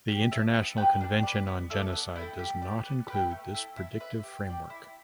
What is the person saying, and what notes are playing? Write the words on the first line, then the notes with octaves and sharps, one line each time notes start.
The international convention on Genocide does not include this predictive framework.
G4
E5 A5
B3
G4 B4 G5
D4
B4 D5
B3
E4 A4 D5
B3
E4 A4 G5
G4
D5 G5
B3
G4 B4 G5
A3
E4 A4
E4
B4 E5
G4
D5 G5
E4